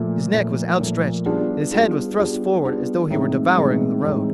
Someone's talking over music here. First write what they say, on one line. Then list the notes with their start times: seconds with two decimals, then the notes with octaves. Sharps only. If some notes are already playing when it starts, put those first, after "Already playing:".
His neck was outstretched and his head was thrust forward as though he were devouring the road.
Already playing: A#2 F3 A3
0.34 A#2 F3 A3
0.80 A#2 F3 A3
1.26 G3 B3 D4 F4 G#4
1.72 G3 B3 D4 F4 G#4
2.18 G3 B3 D4 F4 G#4
2.65 G3 B3 D4 F4 G#4
3.10 A2 E3 G#3 C4 D#4
3.57 A2 E3 G#3 C4 D#4
4.04 A2 E3 G#3 C4 D#4